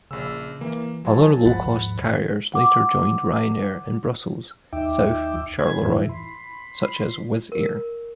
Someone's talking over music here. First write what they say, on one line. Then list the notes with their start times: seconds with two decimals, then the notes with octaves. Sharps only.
Other low-cost carriers later joined Ryanair in Brussels South Charleroi, such as Wizz Air.
0.11 A#1 C#3 E6
0.61 E3 A#3
1.05 F3 F#3 G#5 A5
1.45 D#2 G#2 F3 F#5 B5 A6
2.54 F#5 D6
4.73 D#2 D#4 E5 G5 D6
5.59 C5 G#5 B5 G#6
5.82 F2 A2 E3 E4
6.09 B5 C6
7.52 A#4